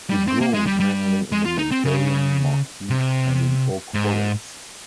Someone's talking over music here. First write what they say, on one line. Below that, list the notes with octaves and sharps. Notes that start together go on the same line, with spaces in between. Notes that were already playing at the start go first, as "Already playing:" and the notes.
It grows mainly in the Mediterranean maquis and in oak forests.
G3
C4
A#3
G#3
G3
G3
G#3
F4
D#4
C4
C#3
C3
G#2